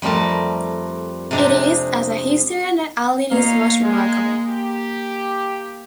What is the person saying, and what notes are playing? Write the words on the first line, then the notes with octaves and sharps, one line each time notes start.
It is as a historian that Alin is most remarkable.
F2 G3 A3 A#4 A5
C3 G#3 D4 D#4 A#5
A#3 D#4 C#5 F5
G#3
G4